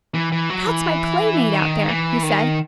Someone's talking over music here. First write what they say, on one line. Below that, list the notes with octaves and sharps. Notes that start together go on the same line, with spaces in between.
"That is my playmate out there," he said.
E3
E3
F#3
E3
D#3
E3
D#3